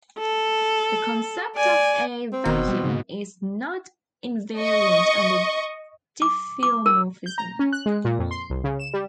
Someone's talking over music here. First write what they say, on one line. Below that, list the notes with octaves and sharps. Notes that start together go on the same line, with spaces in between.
The concept of a vacuum is not invariant under diffeomorphisms.
A4
D5 G#5
C4
F#1 B2 D#3
G3
G#2 C#3
D#5 C#6
D6
D6
A#4
G6
A#5
C#4
F#6
G#3
A#2
F2
C6
C2
C#3
E7
G3